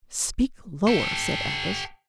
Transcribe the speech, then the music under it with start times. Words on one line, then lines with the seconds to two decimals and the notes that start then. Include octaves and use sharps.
"Speak lower!" said Athos.
0.87 G4 A4